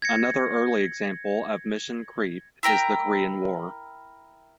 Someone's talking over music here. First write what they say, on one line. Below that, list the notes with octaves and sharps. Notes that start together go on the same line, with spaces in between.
Another early example of mission creep is the Korean War.
G#6 A#6 C#7
E4 A#4 G5 A#5